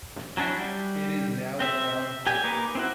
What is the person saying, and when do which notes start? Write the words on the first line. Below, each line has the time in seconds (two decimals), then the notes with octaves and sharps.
It is now a town park.
0.37 F#3 C#4 D4 E4
0.58 G3
1.60 C4 E5
2.26 G4 G#5
2.44 A#3 D#4 B4 D6
2.75 C4 E4 F#4